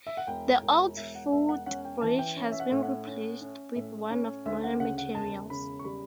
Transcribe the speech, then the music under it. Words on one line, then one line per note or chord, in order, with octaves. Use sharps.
The old footbridge has been replaced with one of modern materials.
E5
F#5
E1 G5
E1
E1 E5
F#5
E1 E5
F#5
C#4 F#5
G5
E3 A5
G5
C#4
E5
F#5
A2
F#5
C#4
C#4
A2 E5
C#4
D2 E5
F#5
C#3 F#5
F#5
E1 A5
C#3 B5
C#6
G3 B5